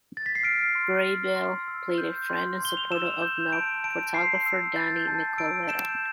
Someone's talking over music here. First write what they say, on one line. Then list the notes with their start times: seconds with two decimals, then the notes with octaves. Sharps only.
Grabeel played a friend and supporter of Milk, photographer Danny Nicoletta.
0.17 A6
0.26 B6
0.35 C7
0.43 F6 D7
0.75 C6
1.06 F6
1.36 C6
1.68 E6
1.98 G6
2.30 C6
2.60 C6 G7
2.77 F7
2.91 E6 E7
3.22 G6
3.53 A5 D7
3.84 A5 D7
4.14 C6 C7
4.46 E6
4.76 G6 A6
5.08 A5
5.38 E6 D7
5.69 G6 E7